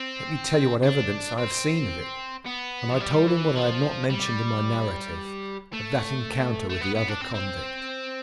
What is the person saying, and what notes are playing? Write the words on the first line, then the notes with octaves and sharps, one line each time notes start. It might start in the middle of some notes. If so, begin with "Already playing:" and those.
"Let me tell you what evidence I have seen of it." And I told him what I had not mentioned in my narrative, of that encounter with the other convict.
Already playing: C4
D4
C4
B3
F3
G3
E3
F3
G3
A3
A3
B3
B3
D4
C4
C4